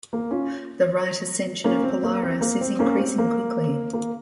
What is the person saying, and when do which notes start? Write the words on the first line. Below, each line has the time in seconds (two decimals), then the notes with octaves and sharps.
The right ascension of Polaris is increasing quickly.
0.13 A#3
0.31 C#4 F4
1.64 A#3 C#4
1.83 C4
2.03 A#3
2.23 C4
2.41 A#3
2.61 C4
2.79 A#3 C#4
2.98 C4
3.18 A#3
3.93 A#3